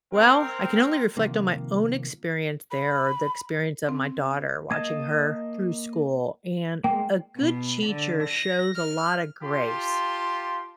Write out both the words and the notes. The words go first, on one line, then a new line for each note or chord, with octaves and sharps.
Well, I can only reflect on my own experience there or the experience of my daughter watching her through school, and a good teacher shows a lot of grace
C4 A#4
C2 C3 D#3 F3 A#3
B5
C4
A#3 D#5 A5 G#6
G#3 A#3 G5
B2
D3
A#6
F6
F4 G4 A5 C6